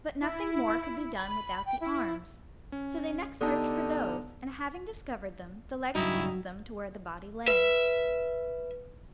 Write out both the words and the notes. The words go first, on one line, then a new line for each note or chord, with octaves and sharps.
But nothing more could be done without the arms; so they next searched for those, and, having discovered them, the legs kicked them to where the body lay.
E4
B5
G5
E4
C#4
D3 B3 D#4 G4 A5 D#6
G2 C#3 F#3 D#4 E4 F#4
B4 E5